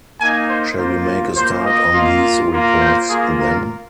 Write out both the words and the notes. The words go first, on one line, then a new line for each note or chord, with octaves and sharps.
Shall we make a start on these reports then?
A#3 D#4 G#5
C5
A#3 F4 C5
A#3 F4 C5
D#5
A#3 F4
A#3 F4
C5
A#3 F4 G#4
A#4